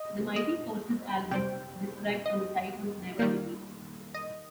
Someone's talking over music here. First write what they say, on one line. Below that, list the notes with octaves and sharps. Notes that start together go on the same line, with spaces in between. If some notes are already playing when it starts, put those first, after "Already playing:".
The Mighty Forces album described on the site was never released.
Already playing: D#5
D#5
C3 G3 C4 G5
D#5
D#3 G3 A#3
D#5